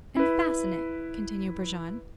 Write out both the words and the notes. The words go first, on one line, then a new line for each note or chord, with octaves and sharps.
"And fasten it," continued Brujon.
E4 B4